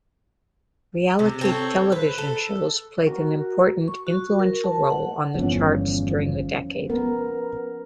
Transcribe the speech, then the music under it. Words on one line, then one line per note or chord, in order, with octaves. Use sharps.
Reality television shows played an important, influential role on the charts during the decade.
C3
C4 A4 C#5
B4
A4
F#4 A#4
C#6
F#4
A#4
A5
F#5
G1 E2 F3 C#4
B3 A#4